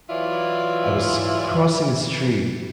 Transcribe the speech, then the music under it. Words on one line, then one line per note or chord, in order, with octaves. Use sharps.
I was crossing the street
E3 F#3 E4 F4 D5